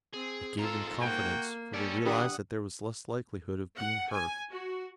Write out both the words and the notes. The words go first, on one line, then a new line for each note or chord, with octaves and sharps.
It gave them confidence, for they realized that there was less likelihood of being heard.
C4 G#4
G#2 F4 A4 A#5
A#3 F#4 G5
G3 C#4 A4 D5
D#2 D#3 D4 G4 B4 F#5 D#6
F#5
G#5
F#4